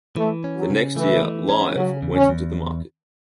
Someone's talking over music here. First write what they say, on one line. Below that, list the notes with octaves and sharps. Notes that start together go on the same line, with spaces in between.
The next year, “Live” went into the market.
E3 A3
C#4
F#3
C#3
E3 A3
E3
C#4
C#3 F#3
E2
C#4
E2